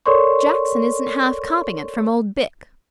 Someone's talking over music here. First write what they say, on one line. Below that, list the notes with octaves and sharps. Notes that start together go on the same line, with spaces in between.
'Jackson isn't half copping it from old Bick.'
A4 A#4 C#5 D5 C6 C#6